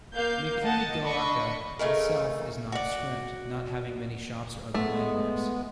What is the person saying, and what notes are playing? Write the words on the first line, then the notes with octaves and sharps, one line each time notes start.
Mikunigoaka itself is nondescript, not having many shops or other landmarks.
A#3 F5 G6
D#5 F#5 A5
D4 D#5 B5 C#6
C#3 A3 D#4 A#4
F#4 D5
G#3 A3 B3